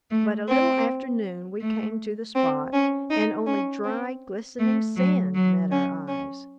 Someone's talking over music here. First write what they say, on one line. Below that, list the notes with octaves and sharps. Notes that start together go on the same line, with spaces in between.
But a little after noon we came to the spot, and only dry, glistening sand met our eyes.
A3
C4
A3
C4
C#4
D#4
C#4
C4
A3
F#3
F#3
C#4
C#4